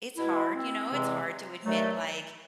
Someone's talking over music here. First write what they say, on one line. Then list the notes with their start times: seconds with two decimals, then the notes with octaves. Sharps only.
it's hard, you know? It's hard to admit like,
0.17 B2 G#3 E4
0.54 C4
0.91 E2 C3 E3 G#3
1.64 G2 D#3 F#3 A3